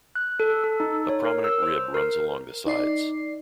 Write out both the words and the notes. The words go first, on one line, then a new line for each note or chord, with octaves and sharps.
A prominent rib runs along the sides.
F#6
A4
A4
D#4
C#5
A#4
E6
C5
A#4
D#4 D5 C7